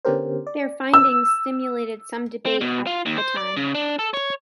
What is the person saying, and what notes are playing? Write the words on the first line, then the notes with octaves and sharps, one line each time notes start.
Their finding stimulated some debate at the time.
D3 B3 C#4 G4 A#4 C5
D5
E6
C4
B2
F4
D#2
C5
D5
C#3
D4
A4
C#5